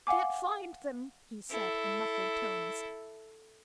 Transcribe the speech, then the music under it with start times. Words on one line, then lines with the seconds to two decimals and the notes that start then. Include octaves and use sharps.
"I can't find them!" he said in muffled tones.
0.07 F5 F#5 G#5 D6
1.50 E4 A4